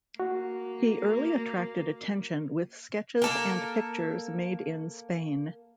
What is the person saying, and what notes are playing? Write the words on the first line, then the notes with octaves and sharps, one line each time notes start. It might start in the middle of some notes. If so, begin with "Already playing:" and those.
He early attracted attention with sketches and pictures made in Spain.
A#3 F#4
A#3 A4 A#4